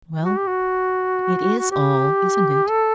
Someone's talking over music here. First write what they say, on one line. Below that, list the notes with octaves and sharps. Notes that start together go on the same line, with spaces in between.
"Well; it IS all, isn't it?"
F#4
G4
F#4
F#4
G4
A4